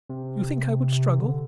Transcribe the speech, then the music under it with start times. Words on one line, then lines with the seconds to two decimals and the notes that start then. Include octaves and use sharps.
You think I would struggle?
0.09 C3
1.19 D3